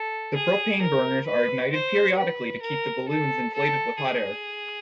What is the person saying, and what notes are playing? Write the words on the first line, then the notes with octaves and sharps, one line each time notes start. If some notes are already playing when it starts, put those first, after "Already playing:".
The propane burners are ignited periodically to keep the balloons inflated with hot air.
Already playing: A4
G#4
A#4
B4
C5
B4
A#4
A4
A4
G#4